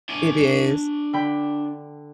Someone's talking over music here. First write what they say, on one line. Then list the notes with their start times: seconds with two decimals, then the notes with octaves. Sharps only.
It is.
0.09 D4 G#5
1.13 D3 G5 B5